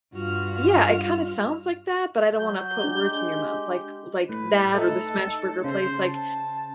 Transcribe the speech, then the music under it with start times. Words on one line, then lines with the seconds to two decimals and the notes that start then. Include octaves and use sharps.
yeah, it kinda sounds like that, but I don't wanna put words in your mouth, like like, that or the smash burger place, like
0.14 G2 F4 F#4 F6
2.38 F#3 G6
2.84 G#3 D4 G4
4.29 A2 B4
4.74 A3 D#4 A4
5.64 C#3 C5
6.03 A5